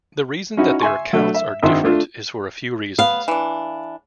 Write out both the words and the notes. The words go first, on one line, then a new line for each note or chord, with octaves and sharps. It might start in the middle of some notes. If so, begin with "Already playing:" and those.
The reason that their accounts are different is for a few reasons.
C#4 D#4 E4 F#4
E5 G#5 C6 C#6
F#3 A3 D4
E5
G#1 D#3 D4 E5 C6
A3 D4 F4
B3 F5
E3 D4